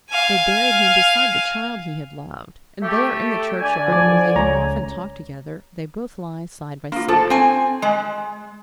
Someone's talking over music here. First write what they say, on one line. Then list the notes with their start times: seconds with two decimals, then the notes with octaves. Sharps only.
They buried him beside the child he had loved, and there in the churchyard where they had often talked together they both lie side by side.
0.10 F5 G#5
2.82 A3 G4
3.60 D3 D5 G#5
3.88 F3 D6
4.36 C#2 C#5 A#5
6.92 A#3 D4 F4
7.08 F4 A4 C5 A5
7.30 C4 G#5
7.82 G#3 D#5 G#5